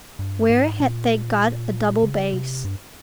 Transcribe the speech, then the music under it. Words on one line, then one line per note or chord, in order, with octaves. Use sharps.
Where had they got a double bass?
G2
G#2
A#2
C#3
C3
G2